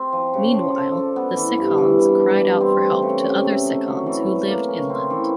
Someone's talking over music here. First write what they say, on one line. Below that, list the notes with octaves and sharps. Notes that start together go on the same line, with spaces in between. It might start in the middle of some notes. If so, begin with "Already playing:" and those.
Meanwhile the Cicons cried out for help to other Cicons who lived inland.
Already playing: C4
F3
C#3
F3
A4
D4
B3
E3
G2
E3
B4
D4
G3
C4
A3
C#3
G4
A3
D#4
F#3
E3
A3
A#3
C#4
C4
E3